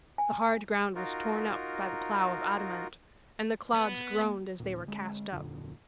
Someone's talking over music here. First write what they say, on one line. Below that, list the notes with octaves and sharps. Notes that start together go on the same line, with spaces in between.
The hard ground was torn up by the plow of adamant, and the clods groaned as they were cast up.
G#5
D#4 F4 F#4 A#4
B3
D#2 A#2
D3 G#3
D1 F2 A#2 D3